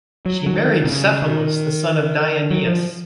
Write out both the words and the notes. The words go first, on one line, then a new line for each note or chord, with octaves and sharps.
She married Cephalus, the son of Deioneus.
F#3
F#3
D#3
C3
C#3
D#3
F#3
F3